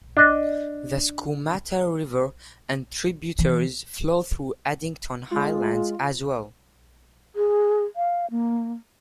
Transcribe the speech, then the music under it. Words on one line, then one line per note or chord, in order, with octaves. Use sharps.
The Skootamatta River and tributitaries flow through Addington Highlands as well.
D4 D#5
E3
G#3 F4
G#4
F5
A#3